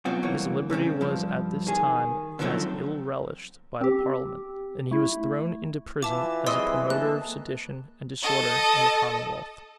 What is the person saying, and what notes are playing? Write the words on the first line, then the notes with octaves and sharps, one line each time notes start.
His liberty was at this time as ill relished by the parliament; and he was thrown into prison, as a promoter of sedition and disorder in the commonwealth.
B2 F#3 C4 F4 F#4
C2 E3 A#3 C#5
C2 G#2 C#3 C4
G2 F3
D#3 G#4
D3 D#3 F3 F#3 A3 C4
C4 G4
A3 E4
E3 F4 E5 A5 D6
F#3 G3 C4 G#4 D#5 C6 E6
A#3 A4 A5 F#6
A4 D#5